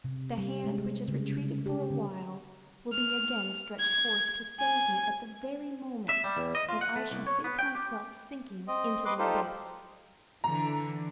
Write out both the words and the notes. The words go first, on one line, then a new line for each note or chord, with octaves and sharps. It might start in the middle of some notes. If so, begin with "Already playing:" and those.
The hand which has retreated for a while will be again stretched forth to save me at the very moment when I shall think myself sinking into the abyss.
C3
G3
G#3
C#3
G4
D3
F6
G#6
G#5
E5
G3
E2
D#5
F4
F#5
A3
C2
C#5
B3
G5
G4
C4 D#5
B4 D#5 C6 D6 F#6
D#4 F4 G4 A4 C5
D3 E3 A#5